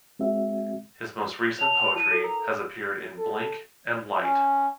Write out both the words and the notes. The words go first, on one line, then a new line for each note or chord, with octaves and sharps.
His most recent poetry has appeared in "Blink" and "Light".
G#3 C4 F#4 E5
C#5 A5 F7
E4 D#7
A4
A#4 A#5
A4
C#4